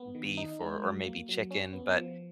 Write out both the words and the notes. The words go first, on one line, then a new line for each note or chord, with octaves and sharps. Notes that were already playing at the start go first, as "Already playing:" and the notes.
beef or or maybe chicken, but
Already playing: B3
D#3
D#4
G#3
F#3
A#3
F#3
C#4
B3
F3